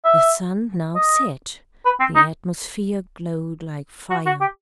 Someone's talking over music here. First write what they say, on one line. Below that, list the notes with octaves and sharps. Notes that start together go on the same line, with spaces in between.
The sun now set: the atmosphere glowed like fire.
E5
D#5
B4
C4
D#4
F#4
F#4
G4